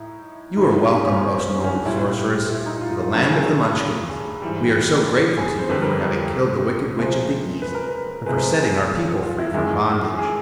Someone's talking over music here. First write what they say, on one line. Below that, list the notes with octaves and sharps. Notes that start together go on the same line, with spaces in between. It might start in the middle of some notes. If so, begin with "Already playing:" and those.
"You are welcome, most noble Sorceress, to the land of the Munchkins. We are so grateful to you for having killed the Wicked Witch of the East, and for setting our people free from bondage."
Already playing: A2 D#4 E4
G#2 D#3 G3
C#4
C#4
C4
C#4
C#4
D4
A#2 G3 E4
E4
D#4
F4
F4
G2 D3 F#3 A3 G4
G#4
A4
G#4
G#2 E3 G3
G4
G#4
C5
F2 D3 G3 B4
A#4
B4
C5
C3 F3 G#3 C5
B4
A#4
B4
C3 F3 G#3 B4
B4
A4
G#4
F4
E4
F#2 D#3 G#3 E4
G#4